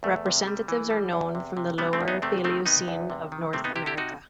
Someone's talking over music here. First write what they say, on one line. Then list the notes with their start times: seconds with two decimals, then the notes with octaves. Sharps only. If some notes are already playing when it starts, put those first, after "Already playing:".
Representatives are known from the Lower Paleocene of North America.
0.03 E2 A3
0.26 C3
0.47 G3
0.68 E3
0.90 G3
1.13 E2
1.35 C3
1.57 C3
1.78 C3 G3 B3
1.93 A3 C4
2.01 E2
2.08 B3 D#4
2.22 C3 A3 C4
2.44 D#3 A3 C4
2.66 C3 B3 D#4
2.88 E2
3.10 C3
3.32 D#3
3.53 C3 A3 C4
3.64 B3 D#4
3.76 C3 E4 G4
3.86 E4 G4
3.97 C3 D#4 F#4